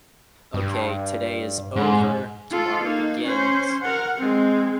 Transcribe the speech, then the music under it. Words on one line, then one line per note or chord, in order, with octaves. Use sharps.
"Okay, today is over. Tomorrow begins."
G2
G#2
F4 A4
A#3 D#4
C#4 C5
A#4 F#5
G#3 C4